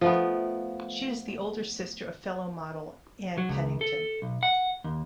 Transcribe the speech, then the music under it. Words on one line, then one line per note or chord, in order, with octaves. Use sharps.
She is the older sister of fellow model Ann Pennington.
F3 A3 B3
F#3
C#2
A4
B1
F#5
D#2